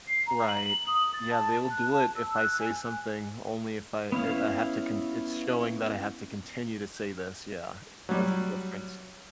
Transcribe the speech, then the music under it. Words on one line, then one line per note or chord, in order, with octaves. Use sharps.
Right. Yeah, they will do it if I say something, only if I, eh I have to cont it's showing that I have to continue to say this, yeah. That's the difference.
C7
A#5
F#7
D#6
A6
A5
F#6
A5
E6
F#6
G#5
B3 C#4 E4 F5
F#3 G3